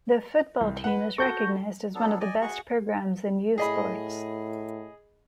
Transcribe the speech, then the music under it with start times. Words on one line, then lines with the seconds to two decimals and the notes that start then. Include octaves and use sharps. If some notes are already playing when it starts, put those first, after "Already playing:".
The football team is recognized as one of the best programs in U Sports.
0.61 C2
0.84 B4 F#5
1.18 F#4 A4 C#6 G6 A#6
1.95 F#3 B3 D4 A4
2.20 D5 D#5 G#5
2.41 F#4 G#4 C#6
3.58 A2 G#4 D#5 B5